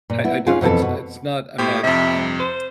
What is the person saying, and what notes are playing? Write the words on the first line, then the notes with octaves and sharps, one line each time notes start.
I I don't it's it's not I'm not, eh, mm,
A#2
B3 E4
C#4 D#4 F4 G#4
F2 B2 E3 C4 A4
B2
A2 G4 C5
F2 C3 E5
C5